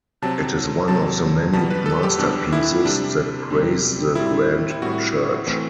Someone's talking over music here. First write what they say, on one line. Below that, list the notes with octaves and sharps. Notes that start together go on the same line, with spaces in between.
It is one of the many masterpieces that grace the grand church.
C3 F#3 C4 A5
C3 F#3 C4 A5
E2 B2 G3 B3 A5
B4
A4
G4
E2 B2 G3 B3 D4
E4
C3 G3 C4 D4
C3 G3 C4
A2 G3 C4 E4
E4
A2 G3 C4 F#4
E3 A3 C4